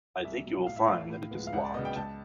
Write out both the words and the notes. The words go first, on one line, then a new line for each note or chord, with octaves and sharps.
I think you will find that it is locked.
C2 E5
B2 F#3
A2 F5
E5
E3 A3 F5
A2
F3 G#3 B3
F5
C#2 F#5
D5
C#3 F#3 B3 D#5
G5
C#2 A5